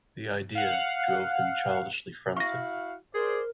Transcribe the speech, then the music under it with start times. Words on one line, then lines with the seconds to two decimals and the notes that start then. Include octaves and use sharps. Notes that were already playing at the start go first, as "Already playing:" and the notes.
The idea drove him childishly frantic.
0.55 F5 F#5
2.37 E4 F#4 F5 C#6 A#6
3.14 G#4 A#4 C5 D5